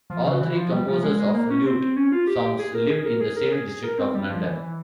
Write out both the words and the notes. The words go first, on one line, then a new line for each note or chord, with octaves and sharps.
All three composers of lute songs lived in the same district of London.
F3
C#3
E3
F3
G3
F3
G#3
G#3
A#3
C#4
C4
C4
C#4
F4
G4
G#4
A#4
G#4
A#4
G#4
A#4
G#4
G#4
A#4
C4
G3
F3
E3
E3